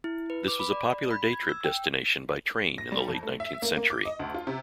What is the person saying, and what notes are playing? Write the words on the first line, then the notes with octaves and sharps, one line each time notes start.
This was a popular day trip destination by train in the late nineteenth century.
E4
B4
D6
B5
D5
B5
G#6
E6
G5
A#6
G3
F2
A3
E5
A#3
A#3
D6
D#5
D2
F4
C3